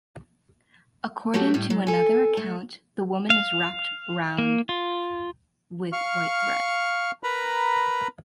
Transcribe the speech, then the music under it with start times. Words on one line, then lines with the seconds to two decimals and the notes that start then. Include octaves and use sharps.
According to another account, the woman is wrapped round with white thread.
1.34 F#3 A3 B3 F#4 G4
1.54 A2 G3
1.70 F#3
1.87 A4 G#5
2.37 A3
3.30 F5
4.38 A#3
4.69 F4
5.92 F5 C#6 F6
7.23 A#4 B4 A#5 B5